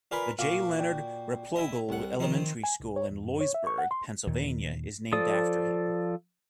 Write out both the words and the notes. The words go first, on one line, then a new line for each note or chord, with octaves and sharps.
The J. Leonard Replogle Elementary School in Loysburg, Pennsylvania is named after him.
F4 A#4 B4 D5 G#5 B5
A#2 F#4 F5 D6
D5 G5
E4 D#5
C2 F#5
D#3 F3 C4 D#4
G#5
C2
C#5
E2
F#2
C#5
E5
C#6
F#5
C6
D#2 A#2 D#3
F3 A4 D5 D#6